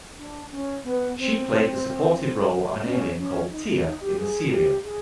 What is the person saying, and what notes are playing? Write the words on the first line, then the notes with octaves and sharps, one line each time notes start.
She played the supportive role of an alien called "Tia" in the serial.
D4
C#4
B3
C4
C#4
C#4
D#4
D#4
G4
G#4
G4
G#4